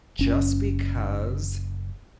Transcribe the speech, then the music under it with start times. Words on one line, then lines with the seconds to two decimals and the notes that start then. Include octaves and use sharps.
just because
0.19 F#1 C#4